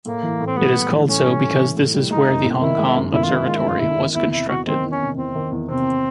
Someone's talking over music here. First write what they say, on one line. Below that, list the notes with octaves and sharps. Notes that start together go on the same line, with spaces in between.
It is called so because this is where the Hong Kong Observatory was constructed.
A2 A#3
E3
A2
C4
G3 B3
A2
E3
A2 C#4
G3
A2
E3
A2
G3
G#3 D#4
F#2
G1
D#3 E4
G#3
F#2
G1 E4
F4
D#3
E4
G#3 F4
E4
F#2 F4
G1 E4
D#3
E2 E4
C3 E4
E2 F#4
D#3 C4
E2
C#4
C3
E2 C4
D#3
E2
C3 C4